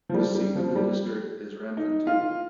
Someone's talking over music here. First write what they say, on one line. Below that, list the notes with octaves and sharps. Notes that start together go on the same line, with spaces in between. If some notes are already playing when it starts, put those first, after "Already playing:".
The seat of the district is Randfontein.
F3
G3
G3
F3
G3
D#4
F4